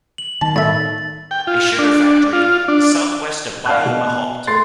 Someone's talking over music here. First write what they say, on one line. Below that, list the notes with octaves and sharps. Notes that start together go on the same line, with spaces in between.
A sugar factory is southwest of Baie-Mahault.
F#7
D#3 A5
A2 E5 A6
G5
F4
D4
F4
D4
D5 F5 F#5 A5 F#6
B2
A3 C6 A6 C7